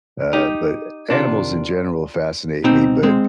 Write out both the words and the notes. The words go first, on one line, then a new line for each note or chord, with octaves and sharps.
uh but animals in general fascinate me, but
D#4 G4
C3 D#3 D4 F4
B2 C4 D#4
G#3 C4